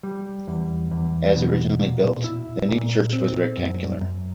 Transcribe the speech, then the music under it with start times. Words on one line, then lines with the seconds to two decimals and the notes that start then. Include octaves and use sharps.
As originally built, the new church was rectangular.
0.03 G3
0.48 E2
0.91 E2
1.36 B2
1.80 A#2
2.24 E4
2.69 A#2
3.13 C4
3.57 F#2
4.01 F#2